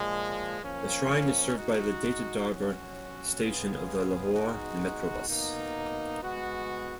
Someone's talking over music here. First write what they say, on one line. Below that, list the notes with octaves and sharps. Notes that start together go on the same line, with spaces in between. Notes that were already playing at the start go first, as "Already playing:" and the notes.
The shrine is served by the "Data Darbar" station of the Lahore Metrobus.
Already playing: A#2 F3 G#3
F3 A#3 C#4
G#3 D#4 F#4
F#3 C#4 F#4
C#3 G#3 B3 F4 G#4
B2 G#3 D#4 F#4
B2 A#3 D#4
G#3 B3 F#4